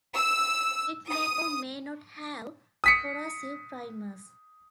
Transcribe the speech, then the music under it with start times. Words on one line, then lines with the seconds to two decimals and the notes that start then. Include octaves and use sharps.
It may or may not have corrosive primers.
0.14 E6
1.08 D#6
2.84 D#6 B6 C#7